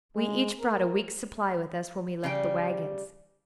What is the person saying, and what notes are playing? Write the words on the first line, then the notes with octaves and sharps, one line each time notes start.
We each brought a week's supply with us when we left the waggons.
G#3
A#4
C#3 G3 G5